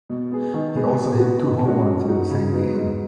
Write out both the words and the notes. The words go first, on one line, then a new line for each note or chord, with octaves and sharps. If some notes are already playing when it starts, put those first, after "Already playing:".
He also hit two home runs in the same game.
B2
B3 G#4
D#3
G#3 B3 G#4
B2
B3 F#4
D#3
G#3 C#4 F#4
F#3
D#4 F#4
C#3
F#3 B3 D#4
G#2